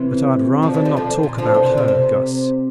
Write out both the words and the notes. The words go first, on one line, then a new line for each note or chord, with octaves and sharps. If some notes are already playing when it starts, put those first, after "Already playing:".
But I'd rather not talk about her, Guss.
Already playing: C3 E3
D3 F3
E3 G3
D3 F3
D3 F3
A#2
D3 F3
C3 E3
A#2 D3
C3
C3